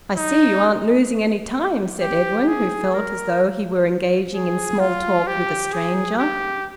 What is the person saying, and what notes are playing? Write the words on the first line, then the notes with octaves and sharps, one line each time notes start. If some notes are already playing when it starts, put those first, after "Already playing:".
"I see you aren't losing any time," said Edwin, who felt as though he were engaging in small-talk with a stranger.
D#4
G4
G#4
A#4
G#4
F4
G4
G#4
G4